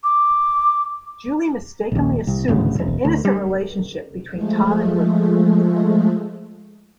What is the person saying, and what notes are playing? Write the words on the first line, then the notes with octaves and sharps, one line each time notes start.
Julie mistakenly assumes an innocent relationship between Tom and Ruth.
D6
A#1 D#2
C2
G#1 D2 A2 C#3
E1 A#1
D2
G3
F3 G#3 A3